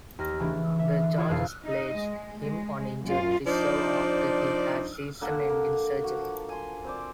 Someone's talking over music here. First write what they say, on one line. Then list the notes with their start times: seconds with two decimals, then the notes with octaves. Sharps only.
The Chargers placed him on injured reserve after he had season-ending surgery.
0.19 D#2 F6 A#6
0.40 C#3 E3 A3 D4
0.79 E5
1.02 D3
1.18 E4 F4 G#4 C#5 D5
1.30 E1 F2 D3 F4 F5 E6
1.65 D#4 D#5
1.94 G#3
2.40 G#3
3.03 F#2 A#2 F4
3.47 F3 D4 D#4 C5 D5
5.21 D3 A#3 A4 F#5
5.49 A#3
6.04 F#4
6.21 F3
6.49 G#5 C6
6.84 C4 C5 D5